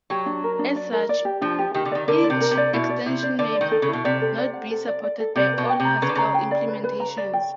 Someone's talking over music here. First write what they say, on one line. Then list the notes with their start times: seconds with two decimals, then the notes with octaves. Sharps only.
As such, each extension may not be supported by all Haskell implementations.
0.10 F#3 G4
0.26 D4
0.44 A#4
0.59 D4
0.76 D5
0.93 A#4
1.09 D5
1.25 G4
1.41 F3 D4
1.59 G4
1.74 D#3 G4
1.85 D3
1.91 D#3 D5
2.08 D3 A#4
2.24 D5
2.30 C3
2.41 A#4
2.51 C3
2.57 D5
2.73 B2 E4
2.90 D5
3.06 C3 E4
3.23 D5
3.39 D3 D5
3.55 D5
3.61 D#3
3.71 A4
3.82 C#3
3.88 E4
3.93 B2
4.04 C3 D5
4.21 A4
4.38 D5
4.54 F#5
4.71 A4
4.87 D5
5.03 D5
5.20 A4
5.36 C3 D5
5.53 B2 B4
5.69 G5
5.80 C3
5.85 A#5
6.02 C#3 B4
6.09 D3
6.15 C#3 A#5
6.34 G5
6.51 D5
6.68 B4
6.84 B4
7.00 A#5
7.17 D5
7.33 G5